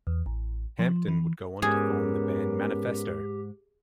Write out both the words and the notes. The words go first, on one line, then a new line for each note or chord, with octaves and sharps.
Hampton would go on to form the band Manifesto.
E2
A1
F3
E3
G#2 B3 C#4 G4 G#4 A#4